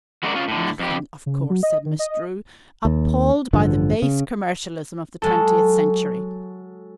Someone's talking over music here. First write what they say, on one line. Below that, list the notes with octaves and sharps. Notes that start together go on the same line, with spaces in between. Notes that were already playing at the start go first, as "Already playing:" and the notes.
"Nothing, of course," said Miss Drew, appalled by the base commercialism of the twentieth century.
F#3 G#3 C#4 F#4 A#4 D5
C#4 F4
A2 D3
F2 G4
C#3
F#3
D#5
D#3
D#5
D#2
A1 G2 D3 F3
C#3
F#3 G#3 A4